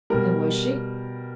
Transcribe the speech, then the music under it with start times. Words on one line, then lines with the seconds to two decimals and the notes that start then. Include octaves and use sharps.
"And was she?"
0.10 B2 G3 A#4